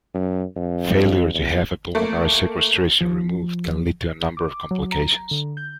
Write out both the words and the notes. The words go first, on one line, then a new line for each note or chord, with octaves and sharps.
Failure to have a pulmonary sequestration removed can lead to a number of complications.
F#2
F2
E2
A3 A#3
F3
D6
F#3
A#5
D3
G6